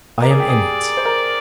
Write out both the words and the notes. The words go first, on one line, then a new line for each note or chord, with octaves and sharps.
I am in it.
A#4 D5
G#4
G4
G#4
C5
A#4